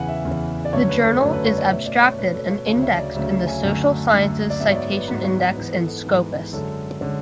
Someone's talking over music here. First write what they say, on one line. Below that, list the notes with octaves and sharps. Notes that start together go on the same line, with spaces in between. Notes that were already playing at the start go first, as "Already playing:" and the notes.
The journal is abstracted and indexed in the Social Sciences Citation Index and Scopus.
Already playing: E2 C#3 E3 F#5 G#5
E5
E2 C#3 E3
D5
F#2 D3 A3 C#4 C#5
B4
A4
F#2 D3 A3 C#4 A4
B4
C#5
D5
B2 A3 C#4 E5
D5
C#5
B2 A3 C#4 B4
A4
C#5
D2 C#3 F#3 A3 C#4 C#5
E5
D5
D2 C#3 F#3 A3 C#4 E5
E5
G#5
F#2 D3 A3
F#2 D3 A3
D5
G#2 F#3 B3 E5
C#5
D5
B4
G#2 F#3 B3 B4
C#5
C#5
G#2 E3 B3 B4
A4
A4
G#2 E3 B3
F#2 D3 G#3 C#4 A4
D3 G#3 C#4